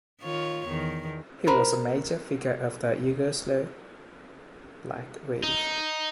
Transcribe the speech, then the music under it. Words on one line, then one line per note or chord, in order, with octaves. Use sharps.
He was a major figure of the Yugoslav Black Wave.
D#3 F4 C#5
E2 D#3
A#4 C5 B5
D#4